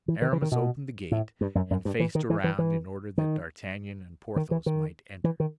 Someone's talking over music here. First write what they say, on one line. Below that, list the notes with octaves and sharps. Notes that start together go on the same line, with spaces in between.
Aramis opened the gate and faced around in order that D'Artagnan and Porthos might enter.
E3
D#3
E3
D#3
B2
A2
G2
F#2
F#2
G2
E3
D#3
E3
E3
E3
D#3
D#3
E3
D#3
E3
D#3